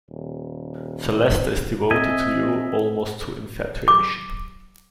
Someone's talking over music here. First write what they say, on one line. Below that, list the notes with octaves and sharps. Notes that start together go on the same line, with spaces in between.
Sir Leicester is devoted to you almost to infatuation.
D#1
C4 D#5 E5 G#5
D6